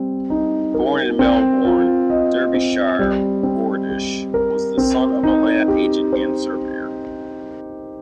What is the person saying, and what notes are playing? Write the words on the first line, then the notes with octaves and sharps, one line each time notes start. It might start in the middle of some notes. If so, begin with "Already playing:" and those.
Born in Melbourne, Derbyshire, Ordish was the son of a land agent and surveyor.
Already playing: G3 C4
D#4
A#4
C4
F4
D#5
C4
G3
C4
G4
A#4
C4
D#4
G4
C5